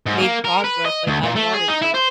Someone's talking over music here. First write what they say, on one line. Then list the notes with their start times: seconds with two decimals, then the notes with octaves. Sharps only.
made progress like I wanted to."
0.06 G#2
0.20 A#3
0.44 A#4
0.64 B4
0.85 D#5
1.07 D2
1.23 A#2
1.36 A3
1.53 G#4
1.68 D#4
1.82 E4
1.94 C5